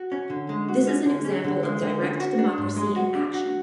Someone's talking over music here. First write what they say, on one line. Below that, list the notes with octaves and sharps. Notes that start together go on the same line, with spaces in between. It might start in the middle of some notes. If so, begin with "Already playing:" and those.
This is an example of direct democracy in action.
Already playing: F#4
C#4
D3
G#3
F#4
C#4
D3
C#4
D3
G#3
D3
C#4
F#4
D4
G#2
G#3
F#4
D4
F#4